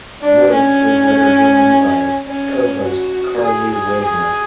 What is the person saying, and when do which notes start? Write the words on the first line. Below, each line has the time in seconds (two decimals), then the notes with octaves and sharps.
Wood was later joined by co-host Carley Wegner.
0.21 D4
0.51 C#4
2.26 C#4
2.84 F#4
3.42 G#4
3.71 G#4
4.01 G#4